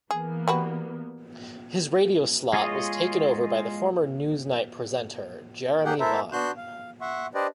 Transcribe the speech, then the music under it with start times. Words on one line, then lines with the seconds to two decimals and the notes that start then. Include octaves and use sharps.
His radio slot was taken over by the former "Newsnight" presenter, Jeremy Vine.
0.11 E3 A#3 B3 G#4
0.48 G3 F#4 B4
2.53 G#3 F4 G#4 C#5 D#5
5.85 A#3 G4 G#4 F#5 G5
6.00 E4 A4 A#4 C5 E5
6.32 B3 D4 F#4 C6 F#6 G6
6.57 F5
7.01 E5 F#5 C6 C#6
7.35 D4 G4 B4 C5 D5 D#5